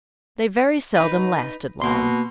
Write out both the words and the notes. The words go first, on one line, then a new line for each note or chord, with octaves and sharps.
They very seldom lasted long.
D#4 B4
B2 A#3 C6